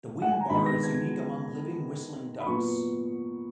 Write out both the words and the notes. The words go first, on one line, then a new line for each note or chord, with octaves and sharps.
The wing bar is unique among living whistling ducks.
F#5
G#5
A#5
D#3 G#3 B3 B5
A#6
G#6
B5
A#2 F#3 B3 C#6